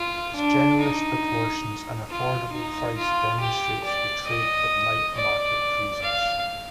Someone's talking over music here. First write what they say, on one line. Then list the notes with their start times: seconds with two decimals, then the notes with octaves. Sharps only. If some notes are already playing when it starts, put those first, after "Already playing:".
Its generous proportions and affordable price demonstrates the trait of night market cuisines.
Already playing: F4
0.36 D4
0.80 D#4
2.11 F4
2.53 D#4
2.97 F4
3.40 G4
3.84 D5
4.27 D#5
5.15 D5
6.02 F5